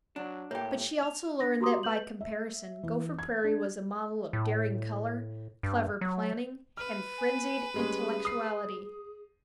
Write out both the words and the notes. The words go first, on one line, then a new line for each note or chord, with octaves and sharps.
But she also learned that by comparison Gopher Prairie was a model of daring color, clever planning, and frenzied intellectuality.
F#3 D4
A2 A#3 G4 C#5 G5
F7
D4 A#6
F#4 G4 A#5 C6 D6 D#6
B4 G6 F#7
E5
E3
G#6
D4
A2
G2
F#3
B4 F6
G#5
G3 G#3 C#4 G#4
D#6 C7